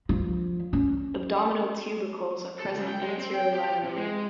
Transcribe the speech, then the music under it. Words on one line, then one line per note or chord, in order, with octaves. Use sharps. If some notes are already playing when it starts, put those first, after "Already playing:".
Abdominal tubercles are present anterolaterally.
F3
C#4
A4
C#2
G5
G#3
C4
G5
G4
C3
G#3